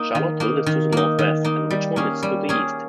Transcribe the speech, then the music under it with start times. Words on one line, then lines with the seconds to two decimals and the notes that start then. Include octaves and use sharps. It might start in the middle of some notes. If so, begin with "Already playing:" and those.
Charlottesville is to the northwest, and Richmond is to the east.
Already playing: A#3 D#4
0.15 D#3
0.40 A#3 D#4
0.66 D#3
0.92 A#3 D#4
1.19 D#3
1.45 A#3 D#4
1.70 G3
1.96 A#3 C#4 G#4
2.23 G3
2.49 A#3 C#4 G#4